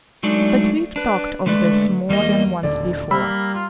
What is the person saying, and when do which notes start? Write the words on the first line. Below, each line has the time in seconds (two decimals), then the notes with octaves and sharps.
But we've talked of this more than once before.
0.23 F#3 G#3 A3 D4 D#4 D5
0.96 D4 B4
1.46 D3 G#3 A3 B4 D5
2.09 E2 G3 A#3 D#5
2.63 D#1 D3 D5
3.11 G3 A#3 B5 E6
3.54 F4